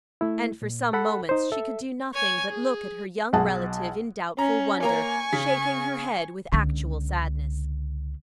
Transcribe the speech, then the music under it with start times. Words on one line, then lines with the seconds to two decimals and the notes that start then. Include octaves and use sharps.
And for some moments she could do nothing but look at her young relative in doubtful wonder, shaking her head with actual sadness.
0.21 A3 E4
0.62 A#2
0.93 A4 F#5 B5
1.29 D#4 C5
1.52 A4 E5
2.13 C#5 G#5
2.51 G#4
3.33 B1 G#4 F#5 A5
4.39 C#4 A#5
4.83 A#3 C#5 G#5 A#5 C#6
5.33 C#3 B6
6.52 C#2 D3